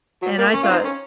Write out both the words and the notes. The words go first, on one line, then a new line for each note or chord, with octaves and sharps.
and I thought,
F#3
A#3
C#4
F4
C4 D#4
C#4